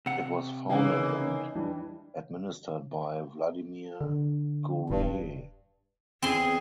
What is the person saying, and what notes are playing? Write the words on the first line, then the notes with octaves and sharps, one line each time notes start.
It was founded and administered by Vladimir Guerrier.
C3 F#5
C#3 E3 A#3 D#4
E3 G3 D4
D3
D#1 G2
E2 C4 G#4 C6